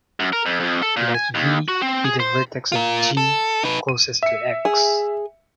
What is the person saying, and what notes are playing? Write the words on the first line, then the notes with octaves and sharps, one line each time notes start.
Let "v" be the vertex of "G" closest to "x".
F#2
A#4
F2
F2
A4
A#2
G#5
D#2
F#4
C4
G#4
C5
F4 A#4
A4
D#4 B4
D#7
E5 C#7
G#4